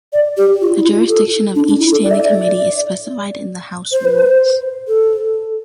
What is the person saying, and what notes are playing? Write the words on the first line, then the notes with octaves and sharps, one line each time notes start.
The jurisdiction of each standing committee is specified in the House Rules.
D5
G4
F4
E4
F4
A4
D4
D4
E4
A4
D5
E5
D5
C5
B4
C5
A4